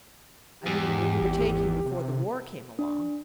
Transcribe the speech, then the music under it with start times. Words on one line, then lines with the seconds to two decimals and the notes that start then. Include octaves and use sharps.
I mean what you were taking before the war came along.
0.66 E2 G#2 G4
1.22 G#1
1.86 C3
2.79 D4